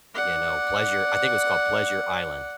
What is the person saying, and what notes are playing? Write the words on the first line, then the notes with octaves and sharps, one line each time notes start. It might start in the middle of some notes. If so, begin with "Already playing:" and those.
you know, Pleasure I think it was called Pleasure Island.
D5 F#5